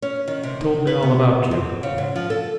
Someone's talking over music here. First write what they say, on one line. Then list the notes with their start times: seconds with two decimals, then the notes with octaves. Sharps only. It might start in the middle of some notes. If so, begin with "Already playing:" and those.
He told me all about you....
0.02 C#4
0.28 D#3
0.43 C3
0.61 D#4
0.87 B4
1.03 B3
1.51 C4
1.83 C#3
1.98 G#2
2.16 F3
2.30 A4